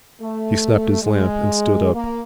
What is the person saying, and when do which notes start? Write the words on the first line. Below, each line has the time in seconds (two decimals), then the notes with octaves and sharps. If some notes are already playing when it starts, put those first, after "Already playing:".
He snapped his lamp and stood up.
0.21 A3
1.02 G#3
1.93 A#3